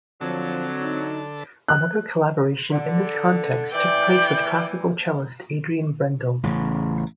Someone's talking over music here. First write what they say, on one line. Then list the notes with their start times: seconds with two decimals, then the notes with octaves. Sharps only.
Another collaboration in this context took place with classical cellist Adrian Brendel.
0.21 D3 F3 F#3 C4 A4
0.82 D#4
1.68 F#6
2.72 D3
3.71 E3 D5 G5
6.43 A1 C#3